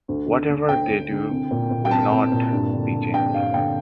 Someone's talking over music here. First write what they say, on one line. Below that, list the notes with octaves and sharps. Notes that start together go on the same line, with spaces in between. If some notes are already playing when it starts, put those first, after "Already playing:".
Whatever they do will not be genuine.
D2
D3
D3
D2 G5
D2
D3
C2
A#2
A#2
G5
C2 A5
C2
A#2
G2
D3
D3
G2 G5
G2 F5
D3 G5